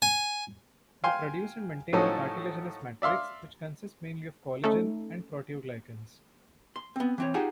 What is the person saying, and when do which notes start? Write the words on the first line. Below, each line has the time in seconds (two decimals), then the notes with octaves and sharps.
They produce and maintain the cartilaginous matrix, which consists mainly of collagen and proteoglycans.
0.02 G#5
1.04 F5 G5 G#5 C6
1.93 A2 F3 F#3 C#4 D#4 A4
3.02 D5 E5 F5 C6
4.64 A3 C#4 D#4 A4
6.76 C6
6.96 B3 C4
7.18 E3 C4 C#5
7.34 D#4 F4 G4 G#4 F#5